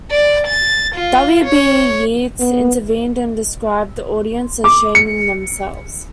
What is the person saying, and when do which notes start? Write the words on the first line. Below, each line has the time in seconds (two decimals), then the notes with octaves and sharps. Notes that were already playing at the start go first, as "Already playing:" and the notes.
W. B. Yeats intervened and described the audience as "shaming themselves".
0.11 D5
0.47 A6
0.95 F4
1.44 C#5
2.40 B3
4.64 D6
4.95 C#7